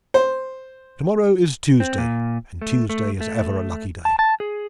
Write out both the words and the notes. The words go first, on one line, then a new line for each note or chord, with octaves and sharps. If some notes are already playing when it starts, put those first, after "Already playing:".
To-morrow is Tuesday, and Tuesday is ever a lucky day.
C5
C4
A#2
A3
A3
A3
A5
A5
G#4